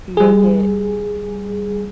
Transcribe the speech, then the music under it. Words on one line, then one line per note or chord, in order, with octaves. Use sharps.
make it
G3 G#4